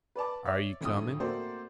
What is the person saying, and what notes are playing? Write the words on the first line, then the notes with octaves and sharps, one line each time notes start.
"Are you coming?"
B4 D5 A5 D6
C#5 D5 E5
D2 A2 D3 F3 D#6
A3 A#3 C4 F#4 C5 D5